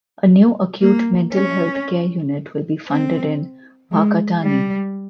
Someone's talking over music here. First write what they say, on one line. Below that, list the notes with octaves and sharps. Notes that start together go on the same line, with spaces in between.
A new acute mental health care unit will be funded in Whakatane.
A#3
C#4
C4
G#3
G3